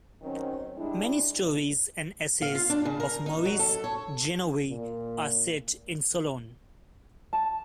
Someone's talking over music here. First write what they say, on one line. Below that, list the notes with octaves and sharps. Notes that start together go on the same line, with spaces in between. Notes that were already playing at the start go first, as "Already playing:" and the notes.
Many stories and essays of Maurice Genevoix are set in Sologne.
D#3 F#3 C4 C#4
G3 G#3 D4 E4
F5
F4
D4
C#3
A#4
D#4
F#3
A4
C#5
A#2
A5